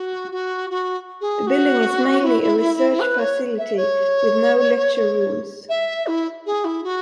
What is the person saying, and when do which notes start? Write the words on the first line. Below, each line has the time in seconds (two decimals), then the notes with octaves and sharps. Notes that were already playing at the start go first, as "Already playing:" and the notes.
The building is mainly a research facility with no lecture rooms.
Already playing: F#4
0.31 F#4
0.70 F#4
1.21 G#4
1.47 F#4
2.24 E4
3.00 B4
3.19 C#5
3.58 E5
3.76 C#5
5.69 E5
6.07 E4
6.46 G#4
6.64 E4
6.84 F#4